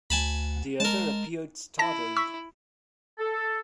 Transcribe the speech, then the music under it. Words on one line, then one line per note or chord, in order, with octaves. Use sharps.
The other appeared startled.
D2 G#5 A5 B5
G#3 A#4 A5
E4 A5 A#6
C#6 E6 B6
A4